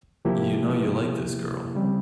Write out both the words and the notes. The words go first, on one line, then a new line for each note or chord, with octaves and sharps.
You know you like this girl.
C3 F3 A#3 E4 G4
C#3 G3 C4